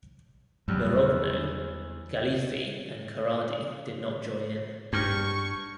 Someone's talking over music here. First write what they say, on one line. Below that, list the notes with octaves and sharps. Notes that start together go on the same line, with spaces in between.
Merogno, Galifi and Corradi did not join in.
E2 F#3 G3
G2 C#6 F6 G6 G#6